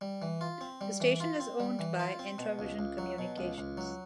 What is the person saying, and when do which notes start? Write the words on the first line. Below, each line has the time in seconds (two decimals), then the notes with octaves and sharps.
The station is owned by Entravision Communications.
0.01 G3
0.22 E3
0.41 F4
0.61 C4
0.81 G3
1.00 E3
1.20 F4
1.40 C4
1.60 G3
1.79 E3
2.00 F4
2.19 C4
2.38 B2
2.59 C#2
2.79 C#2
2.98 F#3
3.18 B2
3.38 C#2
3.58 C#2
3.77 F#3